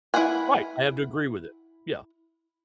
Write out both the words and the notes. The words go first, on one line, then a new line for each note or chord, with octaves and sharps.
Right, I have to agree with it. Yeah,
E4 F4 B4 F#5 G#5